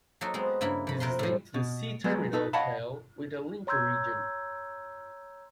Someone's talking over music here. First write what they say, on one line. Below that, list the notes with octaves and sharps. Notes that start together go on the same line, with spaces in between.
This is linked to the C-terminal tail with a linker region.
F#3 A#3 D#4 F#4 A4
G#3 B3 C4
G2 C#3 A#3 E4 B5
F2 B5
C3 A#4 B4 C6
A2 F3
B2
F#3 G#3 B3
D#4 A4 B4
C#5 D#5 F5 F#5 A5 B5
C#5 A#5 C6 E6 G6 G#6